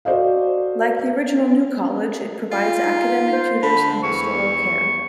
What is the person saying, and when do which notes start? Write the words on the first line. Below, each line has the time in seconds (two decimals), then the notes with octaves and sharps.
Like the original New College, it provides academic tutors and pastoral care.
0.05 F#4 A4 C5 D5 D#5 F5
2.52 F4
2.84 D#4
3.32 C5
3.63 D3 B5
4.03 E2 C#6